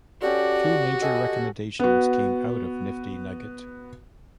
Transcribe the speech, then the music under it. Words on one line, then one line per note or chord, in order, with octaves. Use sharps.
Two major recommendations came out of Nifty Nugget.
C#4 F#4 G4 A4 D5
G4 A4 D#5 G#5
B3 F#4